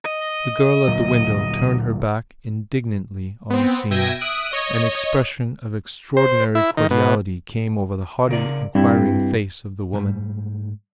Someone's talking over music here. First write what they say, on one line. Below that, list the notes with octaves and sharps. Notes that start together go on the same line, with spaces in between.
The girl at the window turned her back indignantly on the scene; an expression of extraordinary cordiality came over the haughtily inquiring face of the woman.
D#5
D2 A#2 F#3
B3 C4
B2 E5 G5 G#6 A#6 D#7
E5 D#6 F#6 D7
C#5 D#5
C5
E4
D#3
B2
C#3 A#4 D5
G2 C4 E4
G#2 G3 A3